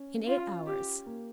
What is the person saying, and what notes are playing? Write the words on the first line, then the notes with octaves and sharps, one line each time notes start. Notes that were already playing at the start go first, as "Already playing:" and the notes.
"In eight hours."
Already playing: C#4
F4
G4
A#3